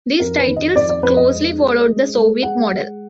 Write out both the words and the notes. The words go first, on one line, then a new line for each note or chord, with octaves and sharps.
These titles closely followed the Soviet model.
F2 A#4
B4
D#3
D#5
F2 D5
D5
F2 B4
D#5
G#3
G#3
G#3
G#3
G#3 F#5
G#3